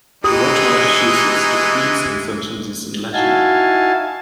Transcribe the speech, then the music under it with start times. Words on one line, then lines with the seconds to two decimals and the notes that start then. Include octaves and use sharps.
The Rota issues its decrees and sentences in Latin.
0.24 E3 G#3 D#4 G4 D#6
3.13 D#4 E4 F#4 F5 G#5 A5